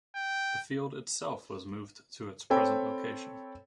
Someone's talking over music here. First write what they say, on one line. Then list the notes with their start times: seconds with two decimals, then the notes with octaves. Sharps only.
The field itself was moved to its present location.
0.16 G5
2.50 C4 A4 C#5 G5 B5